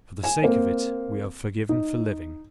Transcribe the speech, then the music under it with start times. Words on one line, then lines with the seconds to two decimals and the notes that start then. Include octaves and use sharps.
For the sake of it we are forgiven for living.
0.24 G#5 E7
0.42 A#3 C4
1.69 D#4